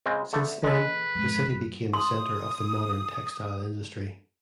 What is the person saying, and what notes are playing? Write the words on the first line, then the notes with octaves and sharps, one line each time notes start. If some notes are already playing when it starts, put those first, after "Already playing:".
Since then, the city became a center of the modern textile industry.
C#3 G#3 C4
D3 A3 B3
A#2 E3 G#3 A4 B4
F2 G#2
F#2 E4
C6 D#6